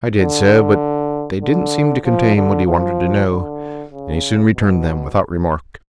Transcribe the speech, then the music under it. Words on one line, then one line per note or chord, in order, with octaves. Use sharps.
I did so, but they didn't seem to contain what he wanted to know, and he soon returned them, without remark.
D3
D3
F3
D3
F3
D3
C#3
B2